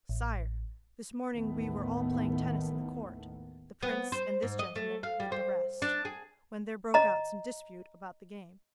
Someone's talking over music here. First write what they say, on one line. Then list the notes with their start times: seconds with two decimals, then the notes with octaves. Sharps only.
'Sire, this morning we were all playing tennis in the court, the prince and this gentleman with the rest, when there broke out some dispute about the game.
0.09 A1
1.33 A1 D#2 D#3 A3 B3
3.83 B3
4.12 C5
4.42 G#2
4.59 D#5
4.76 A3
5.03 F5
5.20 G3
5.32 C5
5.82 D4
6.05 G#4
6.94 D#5 A#5